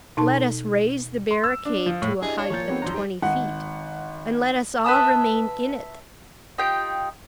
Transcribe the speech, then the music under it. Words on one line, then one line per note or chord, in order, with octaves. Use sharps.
Let us raise the barricade to a height of twenty feet, and let us all remain in it.
B2 D#4 A5 C6
C6
E6
D4
F3
A2
D4 E4 G4 G#4 D#5
D4 C#5 F5
A#2 F3 A#3 C#6 G6 A6
G#2 B3 C4 G4
F2 F#3 D4 A#5 C6 G6
G#2 D#4 G4 C6
G#1 F#5
B4 E5 A5 D#6
D#4 F4 G4 G5